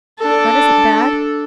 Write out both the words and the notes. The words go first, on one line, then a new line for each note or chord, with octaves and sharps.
That isn't bad.
D4 A4